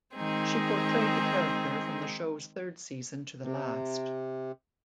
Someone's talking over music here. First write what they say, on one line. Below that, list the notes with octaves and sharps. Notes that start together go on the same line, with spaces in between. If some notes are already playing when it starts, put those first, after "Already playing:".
She portrayed the character from the show's third season to the last.
D#3 G#3 C4 D#4 G#4
C3